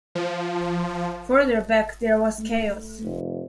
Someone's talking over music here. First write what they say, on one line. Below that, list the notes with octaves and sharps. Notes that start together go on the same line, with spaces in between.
Further back there was chaos.
F3
A3
F1